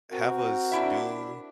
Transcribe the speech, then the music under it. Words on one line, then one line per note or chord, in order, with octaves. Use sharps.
have us do
C4 F#4 A#4
D4 E4 E5